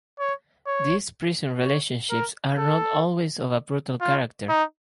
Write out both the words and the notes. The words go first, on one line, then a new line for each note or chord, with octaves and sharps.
These prison relationships are not always of a brutal character.
C#5
C#5
C#5
A#4
A4
F4
D#4